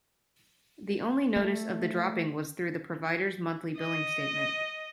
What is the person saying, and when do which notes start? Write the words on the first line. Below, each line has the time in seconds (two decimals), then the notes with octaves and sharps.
The only notice of the dropping was through the provider's monthly billing statement.
1.36 A3
3.79 D#5